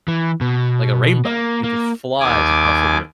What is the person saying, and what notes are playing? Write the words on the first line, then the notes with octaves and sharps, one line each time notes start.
like a rainbow, it just flies across the room.
E3
B2
A#3
A#3
D#2 G#5 D6